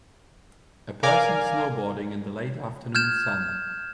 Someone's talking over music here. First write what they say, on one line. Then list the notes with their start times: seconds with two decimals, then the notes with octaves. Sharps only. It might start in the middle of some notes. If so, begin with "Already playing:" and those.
A person snowboarding in the late afternoon sun.
1.03 A#4 D5 F5 G#5 A#5
2.95 F6 G6 G#6 E7